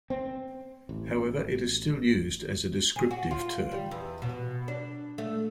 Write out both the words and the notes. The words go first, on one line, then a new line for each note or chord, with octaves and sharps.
However, it is still used as a descriptive term.
C4
A1
G#4
F#4
F4
G3
E2
B2
D4
A3